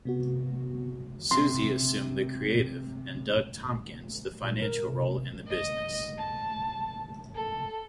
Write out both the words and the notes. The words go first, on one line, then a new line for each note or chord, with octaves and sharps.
Susie assumed the creative and Doug Tompkins the financial role in the business.
C3 B3 F#4
C3 C6
A#2
A#4
C3
D#5
A5
A4